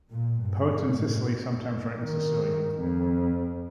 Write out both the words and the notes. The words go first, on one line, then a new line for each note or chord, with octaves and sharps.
Poets in Sicily sometimes write in Sicilian.
A#2
G2
A2
D#3
F2